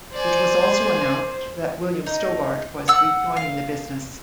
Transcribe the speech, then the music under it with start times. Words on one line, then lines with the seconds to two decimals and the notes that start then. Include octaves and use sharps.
It was also announced that William Stobart was rejoining the business.
0.15 C5 D5 G#5
2.06 D#4
2.88 F#5 E6
3.37 F5